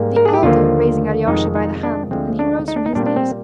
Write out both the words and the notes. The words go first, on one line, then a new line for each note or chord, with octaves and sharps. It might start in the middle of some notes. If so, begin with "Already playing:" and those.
The elder raised Alyosha by the hand and he rose from his knees.
Already playing: G#2 G3 A#3
A#4
G#4
G4
D#2 D3 F3 A#3 F4
F2 C3 D#3 G#3 D#4
D#4
D4
D2 D3 F3 G#3 C4
D4
D#4
D4
D#4
A#2 G3 A#3 D4
D4
C4